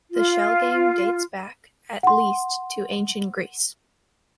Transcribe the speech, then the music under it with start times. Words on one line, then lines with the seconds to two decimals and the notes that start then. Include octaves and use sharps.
The shell game dates back at least to Ancient Greece.
0.10 F4
2.03 F#5 C6